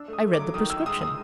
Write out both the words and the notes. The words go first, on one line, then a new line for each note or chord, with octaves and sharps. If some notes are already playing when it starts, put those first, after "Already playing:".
I read the prescription.
Already playing: D4 E6
A3 D#6
A3
D6
F#3
D#3 D#6
D#3 E6
G#3 D#6
G#3 D#6